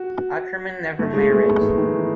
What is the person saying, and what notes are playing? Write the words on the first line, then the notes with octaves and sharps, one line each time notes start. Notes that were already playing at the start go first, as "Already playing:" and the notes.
Ackermann never married.
Already playing: F#4
A3
G#3
A3
B3
D#3
D#3
E3